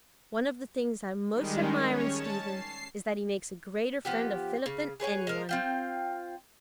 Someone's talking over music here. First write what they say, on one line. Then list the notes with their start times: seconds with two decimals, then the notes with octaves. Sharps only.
"One of the things I most admire in Stephen is that he makes a greater friend of Philip than any one."
1.33 D#3 G3 G#3
1.80 C#4 C#5
2.12 A5
2.49 C7
4.05 F3 B3 G4
4.66 C#3
5.00 G#4 B4 C#5 G#5
5.27 G#3 A#4
5.49 C4 F4 G5